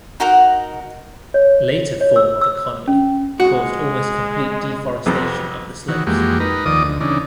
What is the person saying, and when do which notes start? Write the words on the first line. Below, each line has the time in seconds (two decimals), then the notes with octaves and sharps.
Later form of economy caused almost complete deforestation of the slopes.
0.20 D#4 F#4 A#4 F#5
1.34 C#5
2.01 C#5
2.16 E6
2.41 E6
2.88 C#4
3.40 G#3 F#4
5.06 B1 F2 C3 B4
5.88 D#3 E3 F#4
6.07 F2 E3 G#3 A#3 F#4 G4
6.40 D#4 A#4 B4
6.66 D#2 D#3 F3 D5 D#5 D#6
6.83 D2
7.00 C#3 E3 D4 D#4